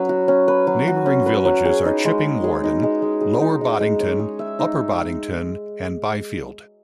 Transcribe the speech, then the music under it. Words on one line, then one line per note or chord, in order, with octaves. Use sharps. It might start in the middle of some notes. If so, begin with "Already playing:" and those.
Neighbouring villages are Chipping Warden, Lower Boddington Upper Boddington and Byfield.
Already playing: F#3 C#4 B4
F#4
C#4
B4
F#3
F#4
C#4
B4
F#3
G#4
D#4
G#3
G#3
G#4
D#4
G#3
G#3
G#4
D#4
G#3
G#3
C#5
G#4
E5
D#4